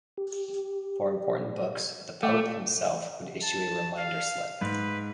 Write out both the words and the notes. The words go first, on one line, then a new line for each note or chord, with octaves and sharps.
For important books, the pope himself would issue a reminder slip.
G4
A3 F5 D6
A5
F5
G#2 B4